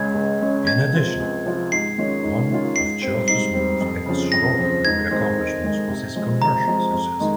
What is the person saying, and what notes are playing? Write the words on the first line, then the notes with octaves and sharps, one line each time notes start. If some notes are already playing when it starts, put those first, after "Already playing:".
In addition, one of Church's most extraordinary accomplishments was his commercial success.
Already playing: C#2 C#3 G#3 C#4 G#6
C#2
C#3 G#3 C#4
C#2 G#6
C3 F3 C4 F4
C#2
C3 F3 C4 F4
G#2 C7
D#3 G#3 C#4 F4
G#2
D#3 G#3 C#4 F4
G#2 C7
G3 C4
G#2 C7
G3 C4
F2
C#3 F3 C4
F2 A#6
C#3 F3 C4
G#2 G#6
D#3 G#3 C4 D#4
G#2
D#3 G#3 C4 D#4
C3
F3 G#3 C4
C3 A#5
F3 G#3 C4
F2
D#3 G#3 D#4